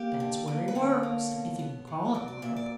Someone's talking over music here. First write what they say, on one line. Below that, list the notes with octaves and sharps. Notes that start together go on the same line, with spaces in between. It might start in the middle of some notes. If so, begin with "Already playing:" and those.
That's where he works--if you can call it work.
Already playing: A#3 G4
D3
A#3 A#4
B4
D3 C#5
A#3
B2
B3
F#3
F#3 D5
D5
A#2 E5
D5